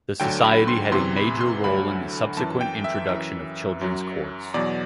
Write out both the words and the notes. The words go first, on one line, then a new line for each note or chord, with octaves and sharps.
The society had a major role in the subsequent introduction of children's courts.
D2 D3 F#3 G5
B5
C6
E2 C3 E3 C6
B5
C6
D2 D3 F#3 B5
F#2 E3 A5
G5
E5
F#2 E3 E5
F#2 F#3
E2 B2 F#3 D5